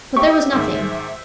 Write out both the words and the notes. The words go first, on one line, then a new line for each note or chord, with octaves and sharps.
But there was nothing.
G4 C5 E5 G5 C#6
G#2 D#3 G#3